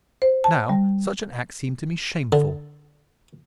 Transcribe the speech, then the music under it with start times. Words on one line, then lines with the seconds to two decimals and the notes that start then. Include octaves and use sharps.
Now, such an act seemed to me shameful.
0.22 C5
0.44 A5
0.69 G3
2.32 D3